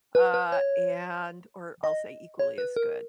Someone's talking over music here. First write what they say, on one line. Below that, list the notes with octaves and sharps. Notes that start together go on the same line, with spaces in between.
uh, and or I'll say equally as good,
B4
B4
C#5
D#5
C#5
B4
A#4